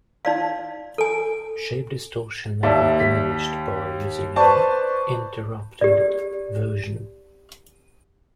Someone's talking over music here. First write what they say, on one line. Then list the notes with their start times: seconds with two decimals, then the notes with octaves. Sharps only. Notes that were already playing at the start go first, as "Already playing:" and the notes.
Shape distortion may be diminished by using an "interrupted" version.
0.25 D#4 D5 F5
0.98 A4 G#5
2.63 D#2 D5 E5 A5
3.00 B6
4.36 B4 C5 D5 A5 C#6
5.81 G4 D5